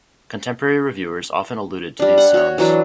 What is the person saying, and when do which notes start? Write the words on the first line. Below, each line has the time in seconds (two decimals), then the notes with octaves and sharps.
Contemporary reviewers often alluded to these sounds.
1.99 G3 D4
2.18 F#5
2.34 F#4 C#5
2.58 E3 F#3 D4